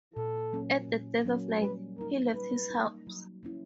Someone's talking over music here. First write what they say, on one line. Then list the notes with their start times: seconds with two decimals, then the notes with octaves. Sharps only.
At the dead of night, he left his house.
0.16 A#2 A4
0.53 F#3 A#3 C#4
0.89 A#2
1.25 F#3 A#3 C#4
1.62 G3 B4
1.98 A#3 D#4 A#4
2.34 G3 B4
2.70 D#4
2.75 A#3
3.07 F#3
3.43 A#3 C#4 E4